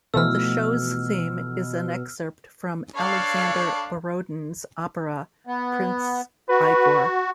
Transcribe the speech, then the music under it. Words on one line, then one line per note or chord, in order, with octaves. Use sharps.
The show's theme is an excerpt from Alexander Borodin's opera "Prince Igor".
B2 E3 F3 A3 E6 F6
D4 A4 C#5 F5 B5
B3
F#4 B4